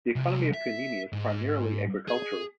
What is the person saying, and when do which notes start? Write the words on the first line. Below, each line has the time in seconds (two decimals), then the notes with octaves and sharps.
The economy of Kunimi is primarily agricultural.
0.16 C2
0.53 E5
1.13 G#2
2.08 G#4